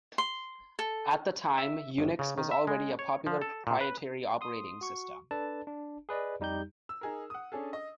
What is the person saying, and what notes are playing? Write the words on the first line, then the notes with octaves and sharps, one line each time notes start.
At the time, Unix was already a popular proprietary operating system.
C6
A4
E5
G1
C#3
D#3
E5
G#3
C#5
F3
A4
A#2
B4
C6 D#6
F#4 C#6
D4 A4 B4 D5 A5
D4
G#4 B4 D5 D#5
F2 G3 D#4 G4 G6
E6
D#4 G#4 A#4
F#5 D#6
C#4 D4 G#4 A4
D#5